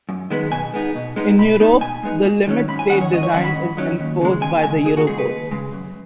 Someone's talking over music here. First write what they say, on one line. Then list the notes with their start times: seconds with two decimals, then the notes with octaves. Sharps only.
In Europe, the Limit State Design is enforced by the Eurocodes.
0.09 F#2
0.30 D#3 G#3 B3
0.52 B2 G#5
0.74 G#3 B3 D#4
0.96 B2
1.16 G#3 B3 D#4
1.38 B2 B5
1.60 G#3 B3 D#4
1.81 B2 G#5
2.03 G#3 B3 D#4
2.25 G#2
2.47 D#3 F#3 C#4
2.68 G#2 B5
2.79 G#5
2.90 D#3 F#3 C#4 F#5
3.01 C#5
3.12 G#2 D#5
3.23 C#5
3.34 D#3 F#3 C#4 F#5
3.44 B5
3.55 G#2
3.77 D#3 F#3 C#4
4.00 D#2
4.21 C#3 G#3
4.42 D#2 G#5
4.64 C#3 G#3 G#5
4.86 D#2 G#4
4.97 F#4
5.07 C#3 G#3 G#4
5.18 B4
5.29 D#2
5.51 C#3 G#3
5.72 F#2